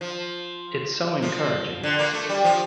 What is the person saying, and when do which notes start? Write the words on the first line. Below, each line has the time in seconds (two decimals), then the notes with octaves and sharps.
It’s so encouraging.
0.01 F3
1.22 F3
1.83 D3
1.99 A#3
2.13 A3
2.29 G3
2.44 F3